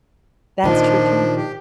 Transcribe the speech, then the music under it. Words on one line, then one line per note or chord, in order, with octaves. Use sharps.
That's true too.
A#2 D#3 F3 D4
G4